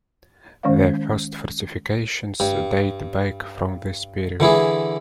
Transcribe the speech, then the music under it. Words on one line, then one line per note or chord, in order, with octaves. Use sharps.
The first fortifications date back from this period.
D#3 G#3 C#4 C5 D5 F5
G2
D3 E3 E4 G#4